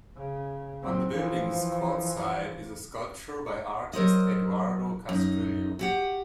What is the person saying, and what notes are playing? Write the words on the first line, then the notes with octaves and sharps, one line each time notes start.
On the building's courtside is a sculpture by artist Eduardo Castrillo.
C#3
F#3 C4
E3 F3
F#3 A#4 C5 D#5
F#2 D#4
F#4 G4 F#5